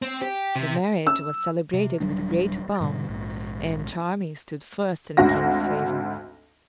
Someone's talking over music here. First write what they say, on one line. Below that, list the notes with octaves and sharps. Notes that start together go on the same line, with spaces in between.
The marriage was celebrated with great pomp, and Charming stood first in the King's favor.
C4
G4
C3
E6
C3
D#1 F#3 G3 D4
G#2 B2 D3 G3
A#1 G#2
G#1 D2 F#4 A#6